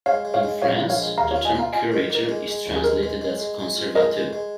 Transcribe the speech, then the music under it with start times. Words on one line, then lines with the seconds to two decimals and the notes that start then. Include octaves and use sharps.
In France, the term curator is translated as "conservateur".
0.06 G#3 C#5 F5
0.25 G#3
0.34 C#5 F5
0.43 G#3
0.62 A#2 C#5 F5
0.80 A#1
0.89 C#5 F5
0.99 G#3
1.18 D#2 F5 A#5
1.31 F4 C#5 F5
1.45 D#5 G#5
1.55 F4 F5 A#5
1.73 F4 D#5 G#5
1.87 A#4
1.92 D#3
2.10 A#3 A#4
2.29 G#3
2.48 G#3
2.66 D#2
2.76 G#4
2.84 G#3 A#4
3.03 G#3
3.21 G#3
3.40 G#3
3.59 G#3
3.77 F4
3.95 G#3 A#4 D#5
4.14 G#3
4.33 G#3